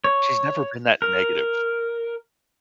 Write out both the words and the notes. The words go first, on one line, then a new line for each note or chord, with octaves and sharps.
She's never been that negative
C#5
A#4